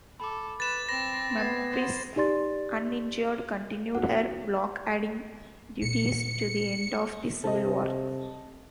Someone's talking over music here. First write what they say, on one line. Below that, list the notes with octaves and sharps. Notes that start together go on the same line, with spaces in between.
"Memphis", uninjured, continued her blockading duties to the end of the Civil War.
A4 B5 D6
B4 A6 E7
C4 B5 A#6
B3 G#6 A6 C7
C5
D#4 G4 D5 C6 A6
B1 F#5
A#2 A#3 C#7
C3 A4 D#5